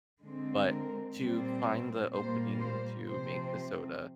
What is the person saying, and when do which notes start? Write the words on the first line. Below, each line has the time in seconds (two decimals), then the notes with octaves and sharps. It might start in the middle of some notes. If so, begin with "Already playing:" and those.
But to find the opening to make the soda,
0.22 D3 G#3 C4
0.69 A#4
1.18 A#2 G3 C4
2.13 A#2 G3 A#3 C5
2.60 C5
3.08 C3 F3 C4 C5